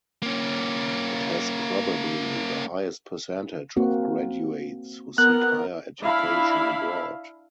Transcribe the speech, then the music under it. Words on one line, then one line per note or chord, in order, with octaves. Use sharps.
It has probably the highest percentage of graduates who seek higher education abroad.
A#3 C#4
A#3 C4 F#4
B3 A#4 F#6
D4 E4 E5 F5 B5